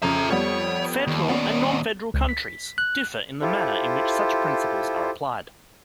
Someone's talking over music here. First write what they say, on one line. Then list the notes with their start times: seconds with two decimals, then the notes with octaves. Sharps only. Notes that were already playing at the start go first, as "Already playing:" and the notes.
Federal and non-federal countries differ in the manner in which such principles are applied.
0.02 F2 C#3 E5 A#5
0.31 F2 G3 B3 C#5
1.07 D#2
1.29 D#2 B3 C#4 D5
2.14 C#2
2.29 B6
2.78 F#6
3.42 E4 F4 G4 A4 C5